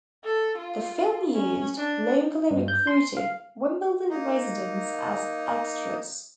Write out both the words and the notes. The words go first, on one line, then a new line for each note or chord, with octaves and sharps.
The film used locally recruited Wimbledon residents as extras.
A4
F4
C#4
D4
G2
G6
C6
F5
A#3 D#4